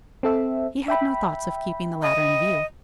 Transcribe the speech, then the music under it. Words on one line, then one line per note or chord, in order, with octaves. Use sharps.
He had no thoughts of keeping the latter in view.
C4 A4 E5
E5 G5 B5
D#5